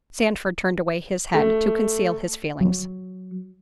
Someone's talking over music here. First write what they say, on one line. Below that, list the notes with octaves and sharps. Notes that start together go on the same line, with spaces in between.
Sandford turned away his head to conceal his feelings.
A3
F#3